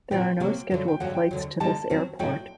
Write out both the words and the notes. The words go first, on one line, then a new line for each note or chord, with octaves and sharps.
There are no scheduled flights to this airport.
A#2 F#3 C4 F#4 G5
C3 F#3 A#3 F#4
G2 D3 F#3
G5
G2 D3 F#3 F#5
G5
D2 D3 F#3
D3 G3 A#3 D#4 A5
D#3 F#3 C4
A2 F#3 A3 D#4 F#4 G5